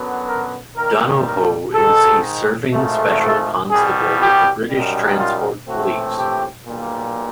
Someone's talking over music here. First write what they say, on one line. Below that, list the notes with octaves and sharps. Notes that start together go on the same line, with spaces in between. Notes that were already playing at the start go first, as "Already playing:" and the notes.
Donohoe is a serving Special Constable with the British Transport Police.
Already playing: F#2 D3 F#3 B3
A#4
D#2 D#3 G3 A#3 A#4
A#4
G#2 D#3 G#3 A4
G#1 G#2 F3 A3
A4
C2 B2 G3 G#4
G4
F#2 D#3 G3
F4
A#1 A2 E3 A3 C4 F#4
G4
B1 A#2 G3 A#3